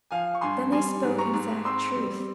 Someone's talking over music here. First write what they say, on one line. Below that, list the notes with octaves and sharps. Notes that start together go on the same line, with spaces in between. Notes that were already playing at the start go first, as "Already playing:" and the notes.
Then they spoke exact truth.
F3 F5 G#5
C#6
G2 G#5 C6
G3 G#5 C6
G#2
A#5 C#6
G#2
C4 C6 E6
G3